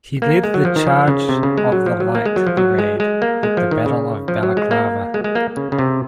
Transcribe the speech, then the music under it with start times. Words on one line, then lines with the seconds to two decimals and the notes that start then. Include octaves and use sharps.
He led the Charge of the Light Brigade at the Battle of Balaclava.
0.22 A#3
0.44 G#3
0.54 F#3
0.65 F3
0.76 D#3
0.87 F3
1.08 C#3
1.29 C3
1.43 C#3
1.57 G#3
1.72 F#3
1.86 F3
2.00 F#3
2.15 A#3
2.25 G#3
2.36 F#3
2.47 F3
2.57 F#3
2.79 G#3
3.00 G#3
3.22 A#3
3.43 G#3
3.57 F3
3.71 D#3
3.86 C#3
4.28 F3
4.43 F#3
4.57 G#3
4.71 A#3
5.14 G#3
5.24 G#3
5.35 A#3
5.57 C#3
5.72 C#3
5.79 C3